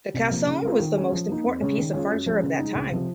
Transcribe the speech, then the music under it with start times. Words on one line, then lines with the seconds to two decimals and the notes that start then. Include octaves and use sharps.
The cassone was the most important piece of furniture of that time.
0.14 C2
0.31 C3 F3 A#3
0.46 C#3
0.63 G#3 C4 F4 A#4
0.79 D#3
0.96 G#3 C#4
1.12 F3
1.29 A#3 D#4
1.44 F2
1.61 C#3 G#3 C#4
1.77 D#3
1.93 G#3 C#4 F4
2.10 F#2
2.26 F3 G#3 C#4 G#4
2.43 C#3
2.59 G#3 D#4
2.75 C#2
2.91 C3 F3